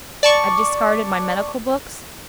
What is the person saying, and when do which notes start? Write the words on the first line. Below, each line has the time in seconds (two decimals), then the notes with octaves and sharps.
I discarded my medical books.
0.23 D5 A5 C#6